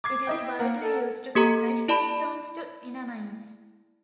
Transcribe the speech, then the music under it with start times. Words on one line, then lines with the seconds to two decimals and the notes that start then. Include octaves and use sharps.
It is widely used to convert ketones to enamines.
0.04 D6 G#6 C7
0.27 E4 D#5 G5
0.59 A#3 A#4 F#5
0.81 A4
1.35 A#3 G4 A4 A#5
1.88 E4 D5 A5 B5